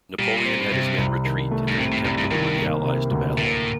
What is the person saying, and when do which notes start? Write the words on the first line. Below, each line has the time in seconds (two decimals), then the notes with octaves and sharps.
Napoleon had his men retreat in an attempt to lure the Allies to battle.
0.18 A#2 G3
0.37 C3
0.45 A#2 C4
0.60 A2
0.71 G2 C3
0.98 C2
1.25 D#3
1.51 A3
1.68 G2
1.78 A2 C3
1.92 A2
2.04 C2 A2
2.18 G2
2.31 G2 D#3
2.58 A#3
2.84 C3
3.11 D2
3.38 A2 A#3